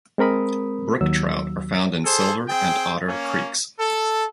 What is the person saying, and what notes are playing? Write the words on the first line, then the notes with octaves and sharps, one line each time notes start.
Brook trout are found in Silver and Otter creeks.
G#3 C4 A#4 B5 D#6
D#2 F#3 E6
G#4 A4 C5
C4 G#4 G5
A#3 C#4
A4